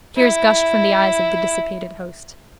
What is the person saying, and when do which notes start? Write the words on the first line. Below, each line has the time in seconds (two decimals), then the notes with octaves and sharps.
Tears gushed from the eyes of the dissipated host.
0.16 E4